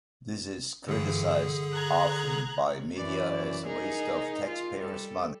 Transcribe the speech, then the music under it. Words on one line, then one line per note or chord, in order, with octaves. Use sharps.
This is criticized often by media as a waste of taxpayer's money.
G2 D3 E3 G#4
A#5 F#6 G#6
F#2 E3 D5
D#4 G#4 A#4
F4
G3 A4